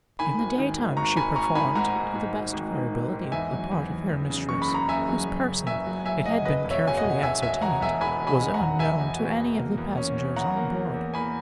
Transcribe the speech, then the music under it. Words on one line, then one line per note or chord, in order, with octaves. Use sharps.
In the daytime she performed, to the best of her ability, the part of her mistress--whose person, it had been carefully ascertained, was unknown to any of the passengers on board.
D#3 G#5 B5
G#1
D#3
G#1
G#1 A#5 C#6
G#1 G#5 B5
G#1 A#5 C#6
D#3 G#5 B5
G#2 F#5 A#5
G#2
G#2
G#2
G#1
D#3
D#3
G#2
E2 E5 G#5
F#3
E2
E2
E2
C#3
F#1 C#6
B5
C#3
A#5
F#1 E5 G#5
F#3
F#1
F#1
F#1 E5 G#5
F#3
F#3 E5 G#5
F#1 D#5 F#5
E1 B4 D#5
E1
C#5 E5
B2 G#5
D#5 F#5
E1
E1 E5 G#5
E1 E5 G#5
E2 F#5 A#5
E1 E5 G#5
E1 G#5 B5
E2
G#5 B5
E1
F#5 A#5
E1
E1 E5 G#5
E2
B2
E2
A#3
E2
C#4
C#4
E2 F#5 A#5
A#3
A#3
E2
A#3 G#5 B5